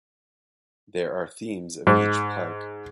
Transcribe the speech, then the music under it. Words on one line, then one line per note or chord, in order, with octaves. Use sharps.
There are themes of each park.
G#2